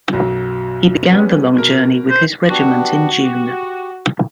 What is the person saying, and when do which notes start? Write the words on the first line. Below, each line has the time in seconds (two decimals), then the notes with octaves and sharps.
He began the long journey with his regiment in June.
0.13 B1 F#2 F#3
1.11 G3 B3 C#4
1.54 B2 A#4
2.10 C5
2.50 B3 D4 F#4 G4
3.24 G4